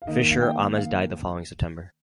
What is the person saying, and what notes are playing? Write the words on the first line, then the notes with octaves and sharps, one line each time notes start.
Fisher Ames died the following September.
F5
D#3 A#3 D#5
F5
G5
F5